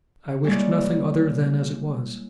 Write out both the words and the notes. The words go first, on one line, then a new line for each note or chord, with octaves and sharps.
I wished nothing other than as it was.
G3 G#3 A#3 E4 C#5 D5